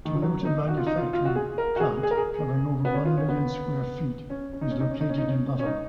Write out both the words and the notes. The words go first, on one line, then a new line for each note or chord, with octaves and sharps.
Toyota Manufacturing plant, covering over one million square feet, is located in Buffalo.
D#3
F3
F#3
D#4
F#4
F4
D#4
F4
F4
F#4
G#4
A#4
F#4
G#4
G#4
A#4
G#4
B3
C#4
F4
C#4
B3
C#4
C#4
D#4
C#4
D#4
C#4
D#4
C#4
D#4
C#4
C#4
D#4